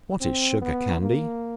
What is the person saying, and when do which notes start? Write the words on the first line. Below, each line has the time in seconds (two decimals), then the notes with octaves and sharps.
What is Sugar Candy?
0.21 C4
0.61 B3
1.02 A#3